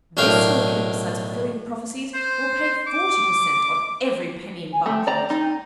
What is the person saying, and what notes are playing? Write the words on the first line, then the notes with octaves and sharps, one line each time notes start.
This syndicate, besides fulfilling the prophecies, will pay forty per cent on every penny embarked in it.'
B1 A2 D4 A#4 F5 G5
C5
D6
G#5
A3 G5
D5 A#5
D#4